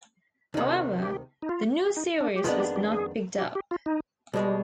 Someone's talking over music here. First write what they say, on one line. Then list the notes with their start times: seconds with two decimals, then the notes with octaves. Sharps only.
However, the new series was not picked up.
0.54 D2 C3 D#3 D#4
0.71 F4
1.02 G4
1.42 D#4
1.49 F4
1.97 D#4
2.21 D4
2.35 G4
2.44 F2 D#3 G#3 B3 D4 F4
2.60 G4
2.76 G4
2.92 G#4
3.38 G4
3.55 G4
3.71 F4
3.86 D#4
4.33 B1 B2 G3 G#3